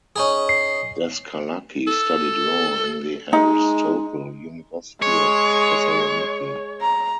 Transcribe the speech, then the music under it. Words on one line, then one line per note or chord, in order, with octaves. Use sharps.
Daskalaki studied law in the Aristotle University of Thessaloniki.
C#4 D#4 G#4
C7
A4
G#3 D#4
G#3 C#5
A#5